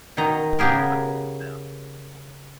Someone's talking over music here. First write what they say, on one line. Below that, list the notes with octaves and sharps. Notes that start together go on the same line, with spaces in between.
But old now.
B2 D#3 D#5 A#5
C#3 B3 G4 G#4 A#4